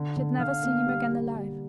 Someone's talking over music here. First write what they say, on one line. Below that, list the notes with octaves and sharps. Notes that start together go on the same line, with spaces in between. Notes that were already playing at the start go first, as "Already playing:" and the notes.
She had never seen him again alive.
Already playing: D3
D3
D3 F5
A#3
G3
G3
G3